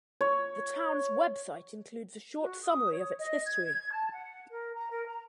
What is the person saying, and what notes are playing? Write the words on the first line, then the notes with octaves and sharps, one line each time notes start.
The town's website includes a short summary of its history.
C#5
F#4
D#6
C#5
D#5
G#6
A5
F#5
A#4
A#5
A#4
A#5